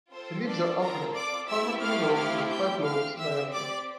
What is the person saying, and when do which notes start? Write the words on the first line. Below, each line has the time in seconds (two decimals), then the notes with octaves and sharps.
The leaves are alternate, palmately lobed with five lobes, in diameter.
0.13 C4 F4 A4 C5
0.46 D4 D5
0.80 A#4 A#5
1.14 D5 D6
1.48 A3 C4 E4 G4 E5 E6
1.82 F5 F6
2.16 F5 F6
2.50 G5 G6
2.84 C4 G4 F5 F6
3.19 E5 E6
3.52 D5 D6